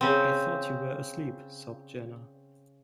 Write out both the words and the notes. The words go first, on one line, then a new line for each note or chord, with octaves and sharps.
"I thought you were asleep," sobbed Jenna.
C#3 C4